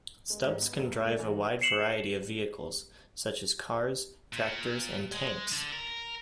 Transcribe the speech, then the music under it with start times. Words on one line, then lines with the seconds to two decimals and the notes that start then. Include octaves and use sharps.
Stubbs can drive a wide variety of vehicles, such as cars, tractors and tanks.
0.30 G#3
0.43 G#2
0.61 B3
0.78 F1
0.91 A3
1.05 A3
1.19 E3
1.61 C7 C#7 E7 F#7
4.33 A#2
5.12 G#3
5.52 D3
5.72 A#4